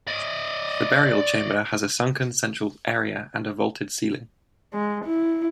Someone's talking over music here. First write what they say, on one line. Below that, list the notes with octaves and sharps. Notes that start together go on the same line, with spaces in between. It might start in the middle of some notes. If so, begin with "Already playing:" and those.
The burial chamber has a sunken central area and a vaulted ceiling.
D5 D#5
G#3
E4